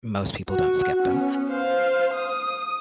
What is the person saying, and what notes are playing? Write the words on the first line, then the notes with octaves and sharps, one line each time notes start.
most people don't skip them,
F#4
B3 C#4
C5 F5
D#6